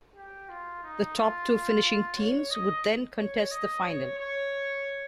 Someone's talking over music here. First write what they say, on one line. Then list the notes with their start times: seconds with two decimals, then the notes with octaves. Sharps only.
The top two finishing teams would then contest the final.
0.16 G4
0.49 F4
0.83 D#4
1.16 F4
1.49 F4
1.84 F4
2.17 C#5
2.50 D#5
3.18 C#5
3.51 D#5
3.84 C#5
4.19 C#5